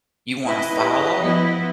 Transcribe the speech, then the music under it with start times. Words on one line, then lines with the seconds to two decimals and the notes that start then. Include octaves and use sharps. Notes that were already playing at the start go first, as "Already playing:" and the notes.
you wanna follow
0.45 E4 B4 D#5
0.76 E4 G4
1.21 F3 B3 E4